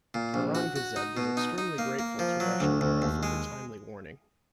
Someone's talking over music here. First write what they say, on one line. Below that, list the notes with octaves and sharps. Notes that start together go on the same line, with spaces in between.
Aurangazeb was extremely grateful to Roshanara for her timely warning.
A#2
A#1
F#4
F#4
D#4
B2
D#4
D#4
A#3
A#3
F3
F#3
D2
D2
D#2
G#3